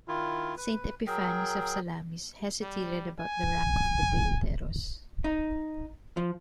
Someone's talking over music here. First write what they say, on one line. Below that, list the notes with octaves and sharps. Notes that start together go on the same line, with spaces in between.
Saint Epiphanius of Salamis hesitated about the rank of the deuteros.
D#3 E4 F4
B4
F#3 G#4 A#4 G5
G3
G#5
D#4
F3